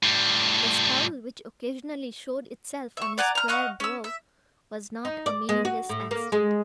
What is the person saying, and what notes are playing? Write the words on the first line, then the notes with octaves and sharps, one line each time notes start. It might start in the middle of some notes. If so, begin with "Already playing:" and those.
The scowl which occasionally showed itself on his square brow was not a meaningless accident.
A2 G3
E5 C#6
D5 F#5 G#5 A#5
A#5 F6
D#5 F5 F#5 C#6
C#4 E6
E5
D#4
D5
G#3
F#4
A2
A#3
G#3